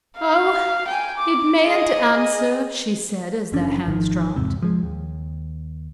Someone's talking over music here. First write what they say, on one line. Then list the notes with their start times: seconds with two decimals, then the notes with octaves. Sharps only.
"Oh, it mayn't answer," she said, as their hands dropped.
0.18 F5
0.88 G5 G#5
1.18 D6
1.65 G#4 D#5
3.53 F#1 E3 C#4 D4
3.86 G#1 D#3 F3
4.36 E2 G#2 C3
4.62 F3 G#3
4.83 D#2